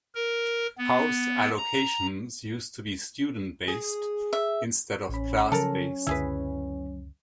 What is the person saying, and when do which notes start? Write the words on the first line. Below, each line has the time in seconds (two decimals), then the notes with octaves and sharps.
House allocations used to be student-based, instead of class-based.
0.15 A#4
0.78 B3
1.58 A#5
3.68 G#4
4.33 E5
5.09 A1 C#4 B5
5.52 C#3 F3 F#3 A4 A#4
6.07 C#2 F#2 D3 E4 G#4 B4